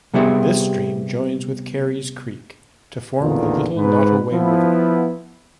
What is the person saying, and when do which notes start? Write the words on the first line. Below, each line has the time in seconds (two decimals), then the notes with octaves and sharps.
This stream joins with Carys Creek to form the Little Nottoway River.
0.14 C3 G3 B3 G4 G#4 E5
3.20 A1 E2 A#2 D3 D#3 F4
3.75 G#2 B4
4.32 F3 B3 E4